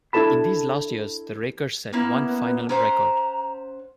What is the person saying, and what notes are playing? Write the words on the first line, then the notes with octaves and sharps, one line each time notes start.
In these last years, the Rakers set one final record.
D4 E4 G4 A4 A5 B5
A#3 B3 C#4 E4
C#4 C5 F#5 A#5